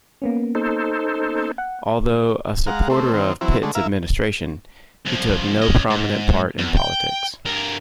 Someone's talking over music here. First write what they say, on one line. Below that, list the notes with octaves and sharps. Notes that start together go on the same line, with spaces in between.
Although a supporter of Pitt's administration, he took no prominent part in politics.
A#3 B3 C#4
D#4 A4 C5
F#5
G#3 F5 F#5 A#5
A3 C4
D#3 C4
E3 F#3 C4 E4
D3 G#3 A3
E4 A#4 E5 F5
C2 F3
C#4 D#5
G#2
E2
G5
G2 A#4